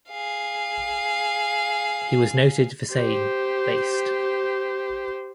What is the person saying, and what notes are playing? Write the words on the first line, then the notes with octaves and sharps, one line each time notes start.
He was noted for saying ""Baste!
G#4 F5
G4 C5